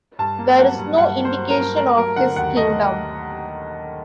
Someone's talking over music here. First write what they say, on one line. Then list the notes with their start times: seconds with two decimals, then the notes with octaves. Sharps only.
There is no indication of his kingdom.
0.19 G2 A5
0.39 A#3
0.59 F#3 F#5
0.78 G2
0.98 G2 F#5
1.18 A#3
1.25 C5
1.38 F#3
1.50 A#4
1.57 G2
1.77 A3 A#4
1.97 F#3 A#4
2.16 D3 F#5
2.36 D#2 F#5
2.56 A3 D#5